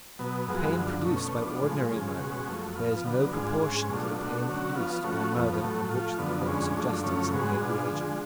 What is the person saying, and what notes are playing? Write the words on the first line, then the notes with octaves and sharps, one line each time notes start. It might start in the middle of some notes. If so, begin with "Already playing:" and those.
The pain produced by ordinary murder bears no proportion to the pain produced by murder of which the courts of justice are made the agents.
B2 F#3 B3
F#2 F3 G#3 B3 F#4
F#2 D3 F3
B2 A3 C#4
F3 B3 D4
A2 F3 G#3
C#3 F3 G#3
B2 G#3 C#4 F#4
F#2 F3 A3
F3 B3 F4
D3 F#3 B3
G#2 G#3 D4 F4
G#2 G#3 C#4
B2 F#3 A3 D4 F4
B2 A3 D4 F#4
D3 F#3 C#4 F#4
F3 B3 F4
F3 A3 C#4 F#4
F2 F3 B3
A2 F#3 A3
F3 A3 F4
F#2 D3 F3 B3
F2 D3 G#3 C#4
F#2 F3 A3 D4
F#2 C#3 F3 A3 C#4
G#2 G#3 B3 F#4
B2 G#3 D4 F4
D3 F3 G#3